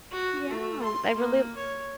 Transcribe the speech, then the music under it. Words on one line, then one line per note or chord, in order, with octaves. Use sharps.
Yeah. I really l
F#4
A3
C6
A#3
C#5